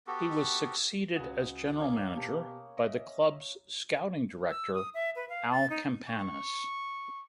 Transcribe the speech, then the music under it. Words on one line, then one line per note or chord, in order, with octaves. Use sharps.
He was succeeded as general manager by the club's scouting director, Al Campanis.
B3 F#4 G4 A4
C#2 F#4 G#4 B4
D#5
A#3 C#4 C#5
B2 G4 A5
D#5 E5
E6
D#6
E5
B4
F5
A6
D#4
C#6